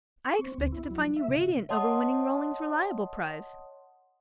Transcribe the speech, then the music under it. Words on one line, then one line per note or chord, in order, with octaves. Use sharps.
I expected to find you radiant over winning Rollings Reliable prize.
C#6
C4
D2
E4
F#3
E5
C3
C#5 D#5 F#5 A5 C6 D#6